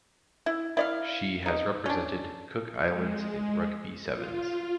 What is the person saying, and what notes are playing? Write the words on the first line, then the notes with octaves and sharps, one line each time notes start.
She has represented Cook Islands in rugby sevens.
E4
E4 D5 F5
D#4
C#4 D4
G#3
F4